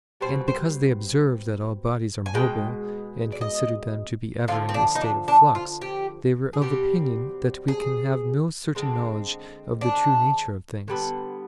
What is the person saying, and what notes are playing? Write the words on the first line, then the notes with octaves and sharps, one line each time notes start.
And because they observed that all bodies are mobile, and considered them to be ever in a state of flux, they were of opinion that we can have no certain knowledge of the true nature of things.
B2 G3 C4 C5
C5
G#5
B2 G#3 G5
D5
D#5
D3 F3 C4 F4
C4
D4
D#4
D4
D4
F4
G4
G#4
B2 G3 C4 G4
G#4
D3 G#3 C4
D4
D3 G3 B3